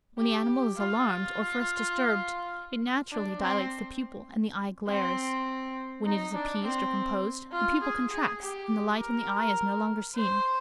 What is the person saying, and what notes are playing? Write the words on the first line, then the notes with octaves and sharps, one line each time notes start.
When the animal is alarmed, or first disturbed, it naturally dilates the pupil, and the eye glares; when it is appeased or composed, the pupil contracts, and the light in the eye is no longer seen.
G4
F4
D4
C4
C4
D#4
D4
C4
F4
G#4
G#4
G4
A#4
C5